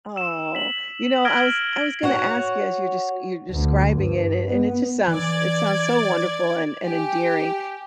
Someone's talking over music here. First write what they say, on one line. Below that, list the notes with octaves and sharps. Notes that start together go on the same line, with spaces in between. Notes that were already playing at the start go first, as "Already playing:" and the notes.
Oh. You know, I was I was gonna ask you as you're desc you're describing it, and and it just sounds it sounds so wonderful and and endearing.
E6 E7
B6 F#7
F6 G#6 A#6 D7 F#7 G7
F#4 C#5 F#5
D2
G2
B3
E3 D5 G#6
G4 G#5